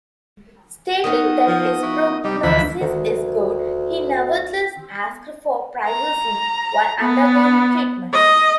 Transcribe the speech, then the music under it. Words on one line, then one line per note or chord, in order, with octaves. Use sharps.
Stating that his prognosis is good, he nevertheless asked for privacy while undergoing treatment.
D#3 B3 D#4 D#5
F3
F3 E4 F#4
C3 G3 D#4 G4
D2 E3 F3 B5
D2 D#3 D4
A#5
B3
D#5